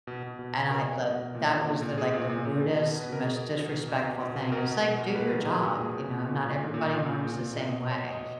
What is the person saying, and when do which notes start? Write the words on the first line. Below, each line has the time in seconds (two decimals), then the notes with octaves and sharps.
And I thought that was the like the rudest, most disrespectful thing. It's like, do your job, you know? Not everybody learns the same way.
0.07 B2
0.23 B2
0.39 B2
0.54 B2
0.70 B2 A#4
0.87 B2
1.02 B2
1.18 B2
1.34 A#2
1.50 A#2
1.66 A#2
1.82 A#2
1.97 A#2 G#4
2.14 A#2
2.29 A#2
2.45 A#2
2.61 B2
2.77 B2
2.93 B2
3.00 B4
3.09 B2 A#4
3.24 B2 G#4
3.40 B2
3.56 B2
3.72 B2
3.88 B2
4.04 B2
4.20 B2
4.36 B2
4.52 B2 A#4
4.67 B2
4.83 B2
5.00 B2
5.15 A#2 B4
5.31 A#2 A#4
5.47 A#2 G#4
5.62 A#2 F#4
5.78 A#2 G#4
5.95 A#2
6.10 A#2
6.26 A#2
6.42 A#2
6.58 A#2
6.74 A#2
6.89 A#2
7.05 A#2
7.21 A#2
7.37 A#2
7.53 A#2
7.69 B2 D#5
7.85 B2
7.90 C#5
8.01 B2
8.11 D#5
8.17 B2